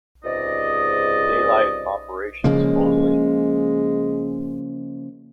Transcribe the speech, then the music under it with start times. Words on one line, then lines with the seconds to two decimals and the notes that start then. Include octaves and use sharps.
Daylight operations only.
0.24 C#2 G#2 C3 D5 D#5
2.44 C#3 F3 G#3 A#3